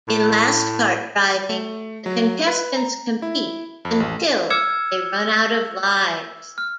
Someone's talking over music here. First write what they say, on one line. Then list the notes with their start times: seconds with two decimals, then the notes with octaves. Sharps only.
In "Last Kart Driving", the contestants compete until they run out of lives.
0.08 A2
1.49 A3
2.06 F#3
2.47 B4
2.77 A#5
3.22 E4
3.85 F2
4.00 A1
4.50 D6 E6 F6 G#6 C#7 E7
6.58 F6